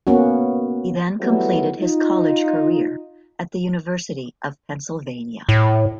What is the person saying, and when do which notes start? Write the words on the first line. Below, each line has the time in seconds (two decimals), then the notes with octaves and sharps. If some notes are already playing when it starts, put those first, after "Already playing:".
He then completed his college career at the University of Pennsylvania.
0.07 A#3 B3 C#4 F#4
1.19 E3 F#3 G3 A3 B3 E4
1.78 D#4 F4
5.49 A2